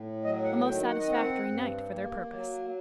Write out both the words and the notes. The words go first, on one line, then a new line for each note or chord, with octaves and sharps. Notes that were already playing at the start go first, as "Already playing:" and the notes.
A most satisfactory night for their purpose.
Already playing: A2
F#3 D#5
F#5
D#3 G5
F#5
D#5
C4 F#5
G2
A#3
F#3